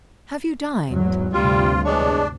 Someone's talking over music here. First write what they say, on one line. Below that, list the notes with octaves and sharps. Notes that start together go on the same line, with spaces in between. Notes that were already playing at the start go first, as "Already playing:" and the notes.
'Have you dined?
E2 G#2 F#3
D2 G2 C3 G3 F4
E2 G#3 D4 C#5